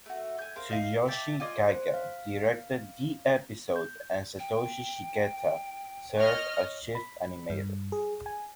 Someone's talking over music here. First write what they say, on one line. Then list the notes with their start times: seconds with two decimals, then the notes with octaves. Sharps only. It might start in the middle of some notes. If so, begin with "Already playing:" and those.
Tsuyoshi Kaga directed the episode and Satoshi Shigeta served as chief animator.
0.06 A3 F#4
0.38 G#5 G6
0.56 A#4 C5 F5
0.70 D#4 F5
1.08 E5 G5 A5 D6
1.40 F4 D5 D#5 G#5
1.67 C5
1.94 F5
3.76 G6
4.39 G5
6.17 C#5 D#5 F6
6.95 B5
7.50 G2
7.92 G#4
8.26 G#5